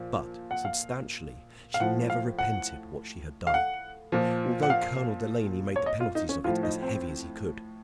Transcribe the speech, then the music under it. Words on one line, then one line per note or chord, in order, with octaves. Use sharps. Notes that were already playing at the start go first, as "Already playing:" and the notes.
But substantially she never repented what she had done, although Colonel Delaney made the penalties of it as heavy as he could.
Already playing: A#2 F3
F#5
F5
F5
A2 F3 F#5
F5
F#5
F5
F#5
A#2 F3
F#5
F5
C#5
D#5
F4
D#4
C#4
A2 F3 F4
D#4
C4